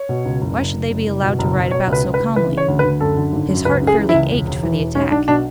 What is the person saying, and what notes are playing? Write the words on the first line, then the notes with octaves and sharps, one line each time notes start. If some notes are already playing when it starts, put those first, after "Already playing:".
Why should they be allowed to ride about so calmly? His heart fairly ached for the attack.
Already playing: C#5
B2
C#2
F#1
F#1
F#1
F#1
F#1
B2
F#1
B2
B2 C#5
C#2
B4
C#2
B4
C#2
E3 B4
C#3
C#5
D2
B4
D2
F#2 A4
D3
G#1
F#2
C#2 B4
C#3
G#4
E3
E4
C#2
E1
E1
E3
E1
B1 C#4
B1 D4
B2 D4